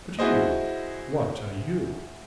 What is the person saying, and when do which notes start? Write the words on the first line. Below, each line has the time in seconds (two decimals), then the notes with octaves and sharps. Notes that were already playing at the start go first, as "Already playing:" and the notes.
But you--what are you.'
0.19 E4 F#4 G#4 C5 D#5